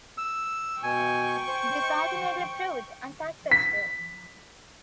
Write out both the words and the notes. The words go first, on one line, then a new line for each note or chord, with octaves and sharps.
This ultimately proved unsuccessful.
E6
B2 G5 G#5 C#6
C5
B6